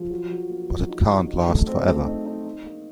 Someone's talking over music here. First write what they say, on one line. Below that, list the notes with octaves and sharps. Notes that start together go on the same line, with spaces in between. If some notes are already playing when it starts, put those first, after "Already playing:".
But it can't last for ever.
Already playing: F3
F#3
F#3
A#3
F#3
D#4
F#3
D#4
A3
C4
A3
D#4
D#4
D#4
A#3